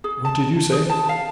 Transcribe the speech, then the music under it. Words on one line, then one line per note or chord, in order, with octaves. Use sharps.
"What did you say?"
G#4
A5
G#4
A5
F5